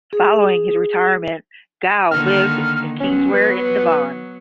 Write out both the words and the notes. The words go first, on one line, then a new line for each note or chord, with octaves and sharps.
Following his retirement Gough lived in Kingswear in Devon.
G#4
D3 D#3 A#3 F6
F#3 B3 C#4
B4